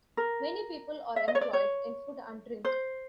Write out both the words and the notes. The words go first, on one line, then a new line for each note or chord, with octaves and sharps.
Many people are employed in food and drink.
A#4
E5
D#5
C#5
D5
C#5
C5